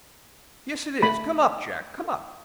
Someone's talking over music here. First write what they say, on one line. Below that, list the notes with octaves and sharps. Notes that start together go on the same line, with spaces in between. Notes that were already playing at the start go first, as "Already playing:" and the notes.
Yes, it is. Come up, Jack; come up.'
A3 B5